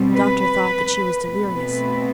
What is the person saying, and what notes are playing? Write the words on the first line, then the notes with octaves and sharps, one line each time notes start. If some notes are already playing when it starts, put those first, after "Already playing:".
The doctor thought that she was delirious.
Already playing: B2 G3 C4
B4
B2 A3 C4 B4